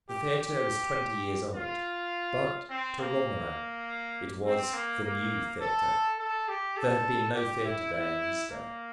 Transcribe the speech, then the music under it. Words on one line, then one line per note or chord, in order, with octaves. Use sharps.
The theatre was twenty years old, but to Romarin it was "the new theatre." There had been no theatre there in his day.
G4
G4
F4
C4
A#3
C4
A#3
A#3
A4
A4
G4
A4
G4
E4
E4
A#3